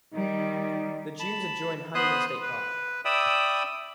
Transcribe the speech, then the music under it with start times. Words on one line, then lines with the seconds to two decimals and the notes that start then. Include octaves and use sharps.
The dunes adjoin Honeyman State Park.
0.13 D#3 G3 D#4
1.20 A5 B5
1.95 B3 C5 B5 C6 D#6 F#6
2.42 B4
3.05 D5 E5 G5 B5 D#6 E6